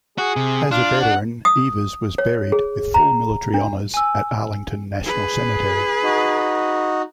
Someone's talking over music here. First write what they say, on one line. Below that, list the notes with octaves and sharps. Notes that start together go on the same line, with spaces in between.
As a veteran, Evers was buried with full military honors at Arlington National Cemetery.
F#4 G#4
C3
D4 F4
F#5
D#6
C#5
G#4
A#5
D4
G#5 E6
G#4 B4
D#4 F#4